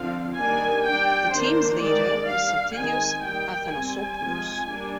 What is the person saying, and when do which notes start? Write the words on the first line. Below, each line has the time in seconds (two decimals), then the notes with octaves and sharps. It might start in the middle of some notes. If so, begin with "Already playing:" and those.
The team's leader was Sotirios Athanasopoulos.
Already playing: D3 F3 C4 F5
0.36 D#3 G3 A#3 D4 G#5
0.84 G3 D4 G5
1.32 D#3 A#3 D4 C5
1.79 D#3 G#3 D4 D5
2.28 G3 D4 F5
2.75 D#3 G#3 C4 G#5
3.23 D#3 G3 A#3 G5
3.71 G3 C4 G#5
4.19 F3 G#3 C4
4.67 G3 A#3 D4